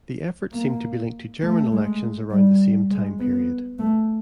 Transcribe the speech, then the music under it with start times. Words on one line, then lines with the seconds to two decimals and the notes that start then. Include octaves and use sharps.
The effort seemed to be linked to German elections around the same time period.
0.52 A#3
1.42 A3
1.71 G#3
2.31 G3
2.90 G#3
3.19 B3
3.78 A3